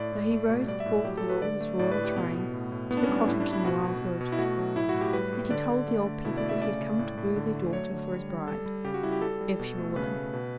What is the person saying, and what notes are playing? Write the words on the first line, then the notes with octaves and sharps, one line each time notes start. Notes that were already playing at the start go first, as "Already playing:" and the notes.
So he rode forth with all his royal train to the cottage in the wild wood; and he told the old people that he had come to woo their daughter for his bride--if she were willing.
Already playing: A2 D5
A2
A3
B2
G3 D5
E5
A2
F#3 G4
A4
F#3
B4
D3 D5
A3
A2 D5
B4
A2
G4
B2 B3
B2
A2
A2
A2 B3
D4
C#4
G3
D4
A2 E4
D4
A2
E4
B2 F#4
B2
B2
B2
E4
A3 F#4
F#3
A2 E4
F#4
A2
G4
G3 B4
A2
D3 D5
D3
A3
D3
B2 E4
D5
A3
E5
C#3 D5
C#3
A2
A2
D3
A3
F#3 C#5
D3
G3
G3
G3 A4
G3
C#3 G4
F#4
G3 E4
G4
G3 A4
G3
B2
A3
C#3 B4
A3
B2